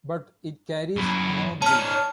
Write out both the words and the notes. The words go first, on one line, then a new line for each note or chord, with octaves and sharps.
But it carries no guilt.
F#2 E4
C#4 D#4 A5 F6